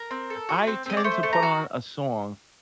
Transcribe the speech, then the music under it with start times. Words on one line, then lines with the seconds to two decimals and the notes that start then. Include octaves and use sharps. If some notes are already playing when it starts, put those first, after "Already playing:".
I tend to put on a song
Already playing: A#4
0.11 C4
0.30 A4
0.49 F#4
0.67 C4
0.86 C4 D#5
0.97 D5
1.04 A3 C5
1.23 A3
1.33 A#5
1.43 F#4